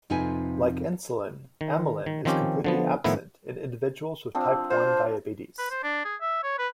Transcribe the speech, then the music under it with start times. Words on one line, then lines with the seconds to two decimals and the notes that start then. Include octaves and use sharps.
Like insulin, amylin is completely absent in individuals with Type One diabetes.
0.10 F2 C3 D#4 F4 B4 G#5
1.61 D#3
2.06 D#3
2.25 D#3 F3 C4 C#4 G4
2.64 D3 F3 B3
3.04 A2 D#3 F3 B3 E4
4.35 F3 C4 D4
4.70 F4 C5
5.58 B4
5.70 C5
5.83 D4
6.04 G#4
6.21 E5
6.43 C#5
6.59 B4